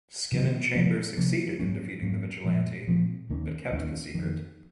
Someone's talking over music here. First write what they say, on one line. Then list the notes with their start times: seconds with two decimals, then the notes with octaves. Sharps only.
Skin and Chamber succeeded in defeating the vigilante, but kept the secret.
0.32 C3 D#3 F#3 C#4
0.74 C3 F3 A#3 C#4
1.17 C3 F3 A#3 C#4
1.59 G#2 F#3 A#3 C#4
2.02 G#2 F#3 A#3 C#4
2.45 A#2 F3 G#3 C4
2.87 A#2 F3 G#3 C4
3.30 D#2 D#3 A#3 C#4
3.72 D#2 D#3 A#3 C#4
4.14 F2 D#3 A#3